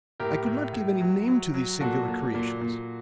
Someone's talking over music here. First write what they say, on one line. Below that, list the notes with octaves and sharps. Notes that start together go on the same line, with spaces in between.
I could not give any name to these singular creations.
A2 G4 A#4
A2
A2
F#3
F#3
F#3
A#2 F#4 A4
A#2
A#2
A#2